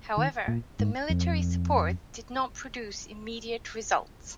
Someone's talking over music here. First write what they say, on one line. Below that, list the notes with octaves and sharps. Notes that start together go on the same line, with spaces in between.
However, the military support did not produce immediate results.
D#3
A#2
G#2
F2